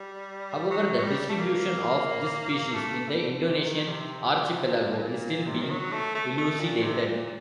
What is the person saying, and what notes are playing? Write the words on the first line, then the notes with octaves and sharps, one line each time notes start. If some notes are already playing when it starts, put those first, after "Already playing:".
However, the distribution of this species in the Indonesian archipelago is still being elucidated.
Already playing: G3
F#3
F#3
G3
A3
A#3
A3
G3
D3
C3
D#3
C3
A#2
C3
D#3
F#3
A3
A3
A3
A#2
C3
A#2